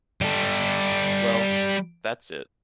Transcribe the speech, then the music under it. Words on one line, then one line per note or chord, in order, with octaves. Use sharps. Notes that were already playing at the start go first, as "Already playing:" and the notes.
Well, that’s it.
G3 A4